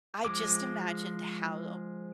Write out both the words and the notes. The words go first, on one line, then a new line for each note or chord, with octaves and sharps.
I just imagined how
F3 G#3 D6